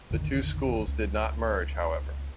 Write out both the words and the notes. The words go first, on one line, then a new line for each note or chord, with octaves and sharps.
The two schools did not merge, however.
A1 E2 D3 D#3
C#2